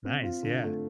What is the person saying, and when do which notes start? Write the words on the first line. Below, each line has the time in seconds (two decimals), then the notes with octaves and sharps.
Nice, yeah.
0.05 C4
0.23 F4
0.43 D3
0.63 A3